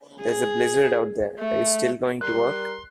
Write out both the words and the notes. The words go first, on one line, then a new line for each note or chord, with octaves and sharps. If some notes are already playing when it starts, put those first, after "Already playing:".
There's a blizzard out there, are you still going to work?
G#4
A3
G3 A#4 C6 F#6